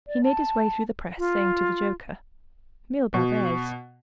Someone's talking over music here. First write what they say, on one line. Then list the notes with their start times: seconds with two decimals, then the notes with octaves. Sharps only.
He made his way through the press, saying to the joker: 'Mille barbes!
0.08 D5
0.24 A5
1.18 F4
3.14 B2